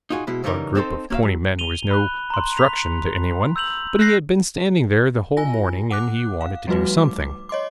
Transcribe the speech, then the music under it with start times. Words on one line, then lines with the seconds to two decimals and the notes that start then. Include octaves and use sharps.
A group of twenty men was no obstruction to anyone, but he had been standing there the whole morning, and he wanted to do something.
0.10 D#4 F4 F#4 G#4
0.27 B2 G#3 E4
0.44 C#3 E3 G3 C#4 D#4 A#4
0.75 C4 D#4 A4 A#4 C5
1.10 A#3 C#4 F#4 C#5 E5 F5
1.23 F#3
1.59 D#7 F7 G7
1.91 B5 F#6
2.30 A#5 C6
2.57 B6 F7
3.56 E6 G6 F7 F#7
3.99 F#6 G6 A#6 C7
5.37 F4 G#5 A#6
5.91 F#5 D6 F#6
6.41 F5
6.67 F3 G3 A3 D#4 F#4 B4
6.98 D6
7.49 C#5 D#5 C6 D6